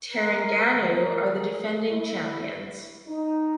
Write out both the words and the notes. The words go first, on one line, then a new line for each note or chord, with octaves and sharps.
Terengganu are the defending champions.
A#4
A#4
G#4
E4
D#4